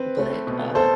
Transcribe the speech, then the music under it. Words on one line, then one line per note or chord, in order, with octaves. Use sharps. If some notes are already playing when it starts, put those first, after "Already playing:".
but, uh,
Already playing: C4 B4
A3
B2
B2 A4 C5